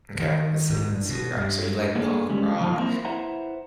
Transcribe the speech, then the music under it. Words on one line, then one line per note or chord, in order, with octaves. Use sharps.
Okay. Let's see, let's see what we got here. So you like punk rock,
D#3
G#2
G2
B2
G2
A#3 B3 D4 G#4 A4
D3 G3 G#3 C#4
F3 F#3 A#3 C#4 D#4 F4
A#3 C4 E4 A#4 C5
E4 B4 C5 E5 F#5 A#5